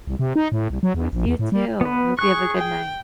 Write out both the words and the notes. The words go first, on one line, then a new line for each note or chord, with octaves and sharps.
Of course, you too! I hope you have a good night.
C2
C3
D#4
A2
C2
F#3
E2
A#1
E2
A2
G3
B3 B4
G#4 C#6 F#6
G5